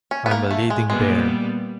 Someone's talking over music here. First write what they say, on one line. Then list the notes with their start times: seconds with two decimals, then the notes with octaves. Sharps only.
I'm a leading bear.
0.11 C#4
0.26 B3
0.31 A#3
0.51 A3
0.70 G#3
0.90 A#2 G3 G#3 B3